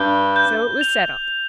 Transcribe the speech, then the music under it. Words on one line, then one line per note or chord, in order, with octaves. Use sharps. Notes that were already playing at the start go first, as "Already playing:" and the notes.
So it was settled.
Already playing: G2 G6 G7
G6
F7